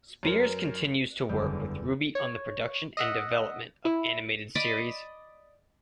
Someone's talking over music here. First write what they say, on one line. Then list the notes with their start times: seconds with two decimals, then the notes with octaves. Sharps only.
Spears continues to work with Ruby on the production and development of animated series.
0.23 F#2 A#4
1.29 F#1 E2 D3 G3
2.15 C#5
2.97 D#5 E5 F#5
3.85 E4
4.55 D5 D#5 B5 D6